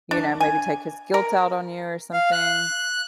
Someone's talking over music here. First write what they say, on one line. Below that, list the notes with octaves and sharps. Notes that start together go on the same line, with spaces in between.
you know, maybe take his guilt out on you or something?
D4
G#5
A#4
F5
F#6